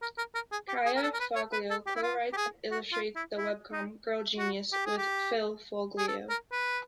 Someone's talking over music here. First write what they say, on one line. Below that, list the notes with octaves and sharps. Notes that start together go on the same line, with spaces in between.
Kaja Foglio co-writes and illustrates the webcomic "Girl Genius" with Phil Foglio.
A#4
A#4
A#4
G#4
G4
G#4
A#4
A4
A#4
B4
C#5
B4
A4
G4
E4
F4
G4
G#4
F#4
F4
E4
E4
D#4
F#4
G4
G#4
G4
G#4
A4
A#4
B4